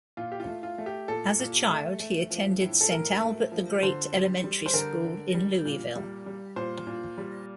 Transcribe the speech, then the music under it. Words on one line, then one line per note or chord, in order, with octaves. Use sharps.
As a child he attended Saint Albert the Great Elementary School in Louisville.
A#2 F4
G4
F4
A3
F4
A3
G4
A#2 A4
A#2
A3
A3
F3
A2
A4
A2 A#4
A3
F3
D3 C5
G3
G3
C5
D3 A#4
D3
G3
A#2
G3
G3
A#2 C5
A#2
G3